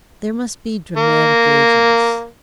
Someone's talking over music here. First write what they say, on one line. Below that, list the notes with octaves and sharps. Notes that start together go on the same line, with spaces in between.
"There must be dramatic agents."
A#3